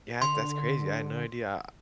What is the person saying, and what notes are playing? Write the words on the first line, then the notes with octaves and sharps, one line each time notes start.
yeah, th that's crazy, I had no idea
D3 C6